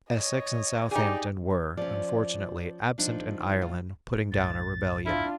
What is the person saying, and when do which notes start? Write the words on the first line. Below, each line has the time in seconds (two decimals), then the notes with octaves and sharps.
Essex and Southampton were, unfortunately, absent in Ireland putting down a rebellion.
0.12 C#5 D#5
0.91 D#4 G4 G#4 D5
1.77 F3 C#4 D5
2.98 F3 D4 D#4
3.61 A2 F4
4.32 B1 G#2 A6
5.06 D4 E4 F4 F6